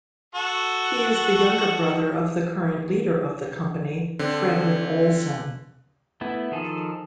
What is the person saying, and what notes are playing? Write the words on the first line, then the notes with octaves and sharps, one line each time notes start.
He is the younger brother of the current leader of the company, Fredrik Olsen.
F#4 A4
D3 C4
A3 B3 E4
D#3 F3 G#4 A4